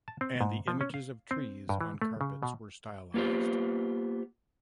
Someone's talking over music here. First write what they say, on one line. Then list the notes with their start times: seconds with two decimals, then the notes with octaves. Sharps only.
And the images of trees on carpets were stylized.
0.08 A5
0.21 C4
0.41 G#2
0.68 F3
0.81 C#4
0.94 F5
1.31 C4
1.69 G2
1.81 E3
2.02 A3
2.21 C#3
2.43 B2
3.14 A#3 B3 F4 G4 C5